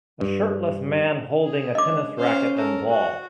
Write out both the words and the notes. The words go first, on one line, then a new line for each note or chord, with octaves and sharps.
A shirtless man holding a tennis racket and ball.
G2
G#4
G#3 C#4 D4 D#5 D6
C#4 C5 F5
A4 A#4
F#4